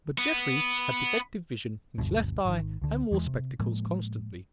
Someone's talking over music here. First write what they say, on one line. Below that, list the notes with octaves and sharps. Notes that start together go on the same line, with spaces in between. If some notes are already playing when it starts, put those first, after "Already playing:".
But Jeffrey had defective vision in his left eye and wore spectacles constantly.
B3
F#1 D2 G2 B2
G#1 D#3
C#2 D3
E2 E3 F3 G#3
C3
A2 F3 G#3 A#3